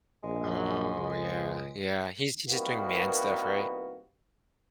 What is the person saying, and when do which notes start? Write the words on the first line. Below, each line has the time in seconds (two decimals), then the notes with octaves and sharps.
Oh, yeah. Yeah, he's he's just doing man stuff, right?
0.24 A#1 G#3
0.96 C#2
2.48 C2 D#3 A#3 B3 F#4 B4